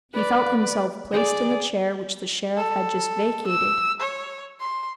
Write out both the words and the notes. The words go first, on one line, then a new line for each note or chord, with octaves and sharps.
He felt himself placed in the chair which the sheriff had just vacated.
B4 D5
G#4 D5
A4
E6
C#5
C6